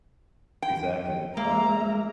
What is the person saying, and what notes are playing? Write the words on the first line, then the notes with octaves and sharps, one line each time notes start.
Exactly, o
G5
G#3 A#3 E5 A#5